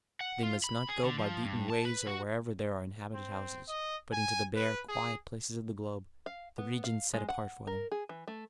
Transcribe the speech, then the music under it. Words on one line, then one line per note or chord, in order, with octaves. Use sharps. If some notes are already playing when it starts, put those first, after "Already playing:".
They must not go by beaten ways or wherever there are inhabited houses, but into the bare, quiet places of the globe--the regions set apart for them.
F#5
F4
B5
G#4
D3
F3
G2
A5
B4
F#4
C4
D#5
G#5
B4
G#4
F5
B3
F5
G#3
F#5
A#4
G#4
E3
A3